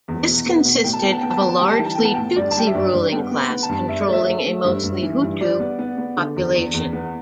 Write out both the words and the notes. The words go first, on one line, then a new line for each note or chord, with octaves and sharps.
This consisted of a largely Tutsi ruling class controlling a mostly Hutu population.
E2
B2
B3
B2
A2 G5
A5
B3 G5
A5
B3 G5
A5
B3 G5
A5
G3 G5
A5
E3 G5
A5
B3 G5
A5
A2 G5
G2 D5
A5
G3 G5
E5
G2 D5
G2
B3 G5
B3
B5
B3
A5
G2
G2 E5
D5
A3 E5
A3
A3
G2
G2
E3
G2
G3 D5
B3
B3
B3
D3
E2
E2
E2
B3